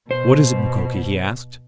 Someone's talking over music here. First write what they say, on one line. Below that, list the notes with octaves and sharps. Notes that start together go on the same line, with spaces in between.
"What is it, Mukoki?" he asked.
B2 C5